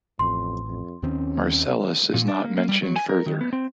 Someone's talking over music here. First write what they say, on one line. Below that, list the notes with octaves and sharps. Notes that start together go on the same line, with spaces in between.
Marcellus is not mentioned further.
A1 F2 C6
F2
D#2 D#3 C4 C#4
A#2
D4
A#3
A#3
G3
F#3
G#5
A#4
D#3
B3
C4